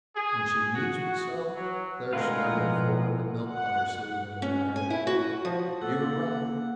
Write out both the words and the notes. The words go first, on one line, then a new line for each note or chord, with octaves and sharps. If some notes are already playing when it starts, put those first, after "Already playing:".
When she needs me so?" Claire started forward, but Milt caught her sleeve, and admired, "You were right!
G#4
F#4
F#3
A2 D3 G#3 F4 A#4 B4 F5 F#5
B2 F3
F#5
C#4
G#5
E4
F#4
F3
A#3 A4 F#5